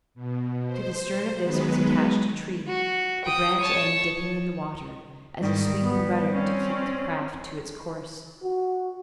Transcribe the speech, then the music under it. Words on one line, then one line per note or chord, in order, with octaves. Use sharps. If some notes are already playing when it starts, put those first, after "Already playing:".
To the stern of this was attached a tree, the branch end dipping in the water, as a sweep and rudder to keep the craft to its course.
B2
C5
D#3 F#3 G#3 B3 B4
F#4
G5 D#6
C#5 A5
G#2 D#3 G3
B3
C4 C#4
F#4